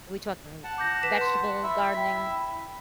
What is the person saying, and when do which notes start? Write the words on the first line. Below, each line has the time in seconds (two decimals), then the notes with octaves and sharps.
are we talking vegetable gardening?
0.64 F#5 A5
0.78 D6 G6 A#6
1.03 B4 B6 E7
1.21 C6
1.63 E4 E5
1.94 G5 B5 B6